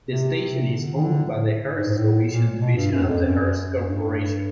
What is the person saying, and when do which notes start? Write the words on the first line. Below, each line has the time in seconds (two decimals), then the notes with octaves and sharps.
The station is owned by the Hearst Television division of the Hearst Corporation.
0.09 C3
0.72 D3
0.95 D#3
1.04 D3
1.35 A2
1.77 G#2
1.89 G#2
1.97 A2
2.29 A#2
2.60 B2
2.76 G2
2.92 F#2
3.08 F2
3.23 F#2
3.76 F#2
3.86 G2